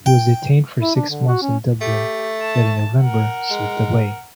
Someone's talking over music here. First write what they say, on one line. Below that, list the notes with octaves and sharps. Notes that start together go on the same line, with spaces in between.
He was detained for six months in Dublin, but in November slipped away.
G5
E4
D4
D3
F#4
C#4
A3 G4
A5
A#4 F#5
G#3